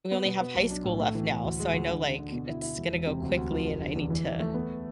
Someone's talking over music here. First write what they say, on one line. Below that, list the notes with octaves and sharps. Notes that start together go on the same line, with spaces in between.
we only have high school left now, so I know, like, it's gonna go quickly and I need to
B3
B2
B3
B1
D4
A2
A3
E3
E3
D2
G#3
D2
D3
D3
D3
B2
E4
E4
E1
E1
C3
D2
D2
F3
F1
D3
E2
E3
E3
A3
B3